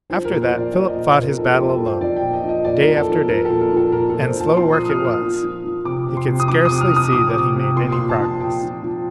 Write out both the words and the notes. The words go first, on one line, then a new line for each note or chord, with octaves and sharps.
After that, Philip fought his battle alone, day after day, and slow work it was; he could scarcely see that he made any progress.
F3 C5
A#4
A#2
C5
A#2
D5
F3 D5
D#5
A#2
C5
A#2
A#4
F3 A4
G4
F3
A4
F3
C5
F3 D5
G5
A#2
D#5
F3
D#5
A#2 D5
F3 A#4
A4
F3
F3 A#4
A#2 A4
A4
F3 A4
A#2 A#4
A#2 A4
C5
F3
A5
F3 C6
D#6
A#2
F6
A#2
F6
F3
F3
F3
C3 D6
C3
C6
C3
D#6
F3 D6
C3 D#6
F6
F3
D#6
F3 D6
C3
C3
A#2 C6
C6
A#2
A5
F3
A5
A#2 G5
F3
F3